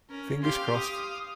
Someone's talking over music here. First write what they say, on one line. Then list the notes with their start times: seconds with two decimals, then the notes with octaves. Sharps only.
Fingers crossed!
0.10 C#4 A#4
0.43 G4 F5 C6
0.77 D#6